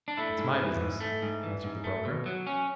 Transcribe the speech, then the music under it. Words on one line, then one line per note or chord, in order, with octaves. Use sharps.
"That's my business," answered the broker.
D4
A3 E4
G#2
E3
G#2
A3
G#2
E3
G#2
A3
B2
F#3
C#4